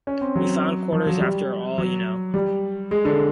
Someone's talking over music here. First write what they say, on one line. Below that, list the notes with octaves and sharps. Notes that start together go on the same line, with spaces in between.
We found quarters after all, you know.
C#4
C4
F#3
F3
F#3
G3
F#3
G3
G#3
D3